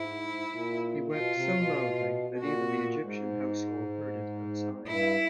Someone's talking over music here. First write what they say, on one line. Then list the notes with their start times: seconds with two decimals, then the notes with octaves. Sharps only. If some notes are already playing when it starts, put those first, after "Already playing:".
He wept so loudly that even the Egyptian household heard it outside.
Already playing: G#2 E4
0.52 A#2
1.13 B2 F4
1.34 C3
1.55 B2
2.30 B2
2.39 A#2 F#4
3.01 G#2
4.88 G2 E4